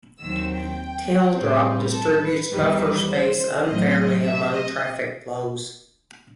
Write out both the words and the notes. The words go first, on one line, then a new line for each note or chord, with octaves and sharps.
Tail drop distributes buffer space unfairly among traffic flows.
D#2 D#3 F#3 C4 E6
G5
A2 G3 C4 B4
A4
B4
E2 D#3 G3 B4
C5
A2 F#3 C4 D#5
E5
D#5